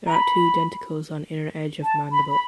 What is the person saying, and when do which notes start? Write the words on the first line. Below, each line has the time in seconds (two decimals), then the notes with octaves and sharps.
There are two denticles on inner edge of mandible.
0.07 A#5
0.12 B5
1.83 A5
2.12 B5
2.30 B5